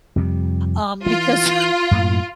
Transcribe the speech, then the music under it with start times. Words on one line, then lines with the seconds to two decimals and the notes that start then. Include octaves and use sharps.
um, because,
0.16 F2 C3 G3
1.06 E3 F4
1.91 F#2 A2 A#3